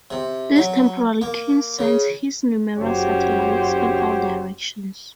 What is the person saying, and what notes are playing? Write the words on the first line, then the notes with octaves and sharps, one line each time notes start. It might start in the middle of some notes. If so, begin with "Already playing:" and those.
This temporary king sends his numerous satellites in all directions.
C3
F#3
A#3
C#3
F#1 C#3 F#4 G4 C5 C#5